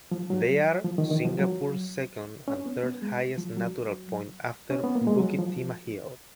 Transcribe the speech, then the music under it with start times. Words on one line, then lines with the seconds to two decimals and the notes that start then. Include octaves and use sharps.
They are Singapore's second and third highest natural point after Bukit Timah Hill.
0.11 F3
0.30 F#3
0.84 F3
0.98 D#3
1.11 D#3
1.25 F3
1.39 F#3
2.48 C#4
2.66 B3
2.83 B3
3.02 G#3
3.38 F3
3.57 F#3
4.71 C#4
4.84 B3
4.95 A#3
5.07 G#3
5.20 F#3
5.39 F3